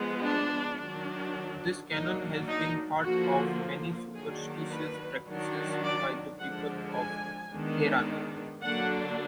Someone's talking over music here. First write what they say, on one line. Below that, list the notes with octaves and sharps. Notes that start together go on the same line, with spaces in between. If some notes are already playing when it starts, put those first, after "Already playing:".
This cannon has been part of many superstitious practices by the people of Tehran.
Already playing: F3 G#3 B3
D4
D#3 F#3 D4
F#3 A#3 D4 D#4
D#4
D3 F3 A#3 F#4
D#3 F#3 A#3 D4 G#4
B4
D#3 F#3 D4
D5
D3 F3 G#3 D4 F#5
G#5
D#3 G#3 B3 D4
D3 F#3 A#3 D4 F#5